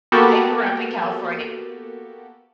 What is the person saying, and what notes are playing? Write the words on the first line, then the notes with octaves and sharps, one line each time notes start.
I grew up in California.
A#3 B3 F#4 G4 A4